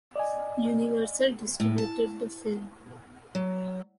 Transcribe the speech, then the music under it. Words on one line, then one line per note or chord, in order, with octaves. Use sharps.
Universal distributed the film.
D5 D#5 G#5
A2
A5
F#3